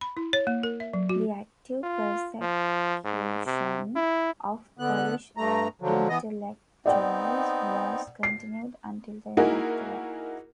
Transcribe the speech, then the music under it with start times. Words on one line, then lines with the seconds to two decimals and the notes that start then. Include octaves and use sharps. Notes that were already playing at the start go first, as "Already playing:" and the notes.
The active persecution of Polish intellectuals was continued until the end of the war.
0.01 B5
0.17 E4
0.33 C#5
0.47 A#3
0.63 A#4
0.80 E5
0.93 F#3
1.09 F#4
1.83 F4
2.41 F3
3.04 G#2
3.46 C3
3.96 E4
4.79 D3 B3 F#6
5.37 G2 A3 A#5
5.82 D3 F3 F#3
6.09 E3 B3 D#5
6.86 B3 C4 D#4 D5 F#5 G5
8.23 C7
9.37 A#3 D#4 E4 F#4 G#4 A#4